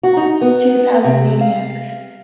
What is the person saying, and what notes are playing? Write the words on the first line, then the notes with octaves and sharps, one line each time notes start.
Two Thousand Maniacs!
F#4
D#4
B3
C3
F5